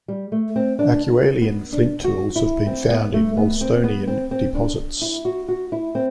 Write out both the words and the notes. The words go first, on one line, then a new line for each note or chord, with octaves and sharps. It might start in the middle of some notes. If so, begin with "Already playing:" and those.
Acheulian flint tools have been found in Wolstonian deposits.
G3
A3
C4
D4
B3
D4
F#4
E4
C4
B3
A3
B3
C4
B3
C4
C4
D4
E4
F#4
F#4
E4
C4